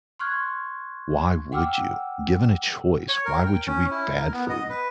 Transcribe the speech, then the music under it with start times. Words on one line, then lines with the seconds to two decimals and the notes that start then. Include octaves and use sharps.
why would you? Given a choice, why would you eat bad food,
0.19 C6 C#6 F6 F#6 G#6
1.52 F#5 G5 D6 E6 F6
3.09 C#5
3.25 A#4
3.46 G5
3.67 C#4
3.91 E4
4.15 A#4
4.33 B3
4.49 D#5
4.70 B4